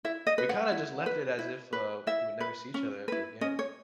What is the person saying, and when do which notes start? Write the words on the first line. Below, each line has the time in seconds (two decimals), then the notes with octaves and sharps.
We kinda just left it as if uh, we would never see each other ever again.
0.05 E4 E5
0.27 D#5
0.38 B4
0.49 F#5
0.72 E4
1.06 B4
1.39 E4
1.73 B4
2.07 E4 E5
2.41 B4
2.74 C#4
3.08 E4 B4
3.41 C#4 D#5
3.59 C#5